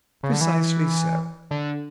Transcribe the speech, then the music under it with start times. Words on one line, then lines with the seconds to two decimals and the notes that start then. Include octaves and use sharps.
"Precisely so."
0.23 C#3
0.32 D3
0.41 E3
1.51 D3